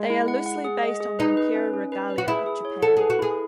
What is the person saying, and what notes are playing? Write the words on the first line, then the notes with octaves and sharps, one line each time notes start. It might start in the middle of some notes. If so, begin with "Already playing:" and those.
They are loosely based on the Imperial Regalia of Japan.
Already playing: G#3
E4
F#5
F#5
G#4
D#5
G#4
D#4 B4
B4
C#4
C#4
B4
B4
F#4
E4 G#4
G#4
C#5
A4 F#5
G#4 B4
F#4
E4 G#4